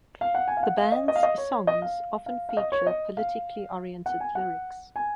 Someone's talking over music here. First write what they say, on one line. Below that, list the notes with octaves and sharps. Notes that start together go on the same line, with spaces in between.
The band's songs often feature politically oriented lyrics.
F5
F#5
G#5
F5
F#5
F5
D#5
D#5
F5
D#5
C#5
D#5
F5
F5
F5
D#5
C#5
D#5
F5
F#5
G#5
F#5
G#5